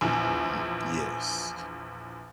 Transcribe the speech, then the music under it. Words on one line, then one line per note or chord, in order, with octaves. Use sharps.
Mhm, yes,
A#1 E2